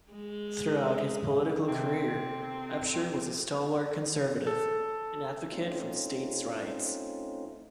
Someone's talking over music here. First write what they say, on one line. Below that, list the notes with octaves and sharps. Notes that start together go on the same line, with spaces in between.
Throughout his political career, Upshur was a stalwart conservative and advocate for states' rights.
G#3
C3 C4 A4
A4
A3 C4 C#4 D#4 F4